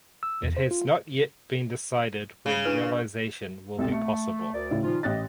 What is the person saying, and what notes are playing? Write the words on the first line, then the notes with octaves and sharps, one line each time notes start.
It has not yet been decided when realization will be possible.
E6
E2
C5
F4
C#3
D4 E4 B4
C2 F2 B2 C4 A4
A3 C#7
D2 A#4 D5
A2 C#3 E4
A#2 D#3 F3 F4
A1 G4 D#5 F#6 A6